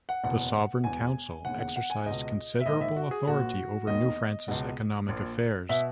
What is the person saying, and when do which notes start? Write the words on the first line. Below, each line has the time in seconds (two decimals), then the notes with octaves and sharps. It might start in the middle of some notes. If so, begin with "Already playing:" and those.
The Sovereign Council exercised considerable authority over New France's economic affairs.
0.09 F#5
0.23 F#1 E2 B2 F#5
0.84 E1 E2 B2 G#5
1.45 E1 D#2 C#3 F#5
1.60 F#5
1.76 F#5
1.90 G#5
2.06 C#2 B2 D#5
2.60 E5
2.66 A#1 G#2 D#3 D#5
2.81 E5
2.97 F#4
3.11 G#4
3.27 A#1 A#2 F#4
3.87 E1 D#2 D#3 D#5
4.48 C#2 B2
5.08 A#1 A#2
5.69 B2 E5